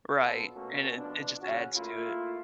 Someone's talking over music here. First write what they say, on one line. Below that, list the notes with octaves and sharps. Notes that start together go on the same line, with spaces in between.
Right, and it it just adds to it.
B2 B3 F4 A4
B2 A3 A#3 C#4 F#4
B2 F3 D4
C#3 C#4 F#4
A3 A#3 E4 F4